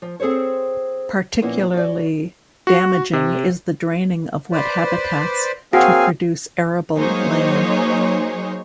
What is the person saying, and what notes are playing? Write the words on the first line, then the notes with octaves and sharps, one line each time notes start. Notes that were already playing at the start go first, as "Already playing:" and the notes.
Particularly damaging is the draining of wet habitats to produce arable land.
F3
C4 G#4 A4 C5 C#5
A#2 F3 A#3 B3 C#4 E4
F#4 C#5 D5
F#4
C3
B4 C5 D5
F#3 A#3 C4 F#4 G#4 F5 G#5
F#3 A#3 D#4 G#4 C5 C#5